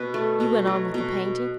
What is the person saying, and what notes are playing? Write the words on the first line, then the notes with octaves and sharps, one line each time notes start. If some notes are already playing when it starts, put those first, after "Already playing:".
You went on with the painting?'
Already playing: B2 B4
A3
B2
F#3
B2